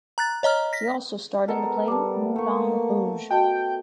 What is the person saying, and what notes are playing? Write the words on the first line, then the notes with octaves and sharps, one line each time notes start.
He also starred in the play "Moulin Rouge".
A#5 F#6 A6
C#5 D#5 A#5 F6
A#6 B6
G#3 B3 A4 A#4
G3 A5 D6
A3 A#3 C#6
F#4 D#5 G5 A5